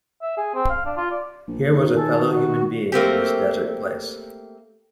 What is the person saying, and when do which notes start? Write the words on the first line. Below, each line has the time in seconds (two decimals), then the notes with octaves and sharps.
Here was a fellow human being in this desert place.
0.22 E5
0.37 G#4
0.54 C4
0.69 F5
0.86 D4
0.97 F4
1.11 D5
1.48 A#1
1.73 D#3
1.92 G#4 A4
2.28 F#4
2.92 A3 A#3 C4 G4